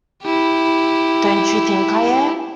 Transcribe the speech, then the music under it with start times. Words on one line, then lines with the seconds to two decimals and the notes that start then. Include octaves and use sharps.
Don’t you think I am?
0.23 E4 G4